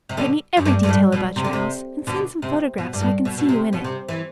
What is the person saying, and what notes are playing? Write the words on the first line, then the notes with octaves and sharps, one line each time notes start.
Write me every detail about your house, and send some photographs, so I can see you in it.
C3
B2 D3
F#2
G2
G2
A2
B2
C3
D3
C3
B2 D3
C3
B2
G2
A2
B2
B2
C3
B2
C3
E3